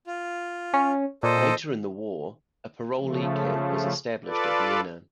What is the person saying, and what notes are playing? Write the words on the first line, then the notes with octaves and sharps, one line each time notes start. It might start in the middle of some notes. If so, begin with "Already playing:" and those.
Later in the war, a parolee camp was established at Vienna.
F4
C#4
A#2 A4 C5 D#5
C#3 F3 A3
F4 A4 B4 D5